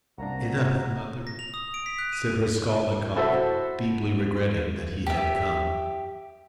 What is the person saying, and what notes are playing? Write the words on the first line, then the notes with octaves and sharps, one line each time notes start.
"Enough, mother," said Raskolnikov, deeply regretting that he had come.
C2 G2 C3 A#3 D4 F#4 A#5
A#6
F7
D#6
D7
B6
F#6
D#7
E4 F#4 A4 C5 E5
G4 E5